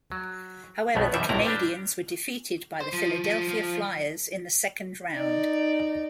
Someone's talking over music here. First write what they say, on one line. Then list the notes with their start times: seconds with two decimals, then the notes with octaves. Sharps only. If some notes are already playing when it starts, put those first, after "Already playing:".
However, the Canadiens were defeated by the Philadelphia Flyers in the second round.
0.12 F#3
0.95 B1 F2 B2 A3 B3
1.14 F#2 B2 E3 G3 E5
1.29 B1 A2 C3 E4 D5 A#5
1.46 G3 D4 G4
2.81 C5
2.93 F3
3.25 F3
3.49 F3
5.14 D#4 D5